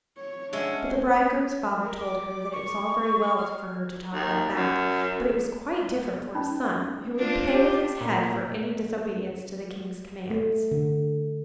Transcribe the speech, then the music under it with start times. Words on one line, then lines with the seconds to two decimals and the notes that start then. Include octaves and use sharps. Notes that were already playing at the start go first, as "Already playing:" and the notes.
But the bridegroom's father told her that it was all very well for her to talk like that, but it was quite different for his son, who would pay with his head for any disobedience to the king's commands.
0.16 C#5
0.53 G#3 C#4 D4 C#5 E5 F#5
1.84 A#4
2.00 D6
2.52 C#6
3.38 F6
4.14 D#2
4.55 F#2
6.34 C#4 D#4 B5
7.16 C4 D4 F4
7.52 G4
8.01 A#2
10.30 A3
10.71 D3